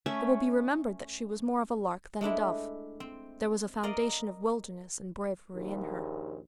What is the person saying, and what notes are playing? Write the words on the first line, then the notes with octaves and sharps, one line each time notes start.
It will be remembered that she was more of a lark than a dove. There was a foundation of wildness and bravery in her.
A3 C#4 C#5 E5
G#3 A3 D4 E4
C4
A#4 D5 D#5 F5
A#1 D#2